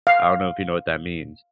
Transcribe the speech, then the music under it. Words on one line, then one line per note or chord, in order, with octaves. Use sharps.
I don't know if you know what that means
F5